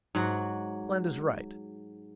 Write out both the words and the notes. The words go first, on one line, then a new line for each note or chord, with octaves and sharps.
Land is right.
G#2 F#3 F#4